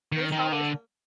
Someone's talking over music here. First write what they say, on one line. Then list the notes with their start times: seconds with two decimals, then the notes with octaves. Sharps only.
But it's always
0.12 D#3
0.32 D#3
0.52 D3